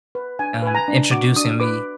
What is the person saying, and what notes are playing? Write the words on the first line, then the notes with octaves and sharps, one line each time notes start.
um, introducing me
B4
D4 G#5
B4 G#5
A#5
D4
F#4 D6
D4 D#6
B4 D6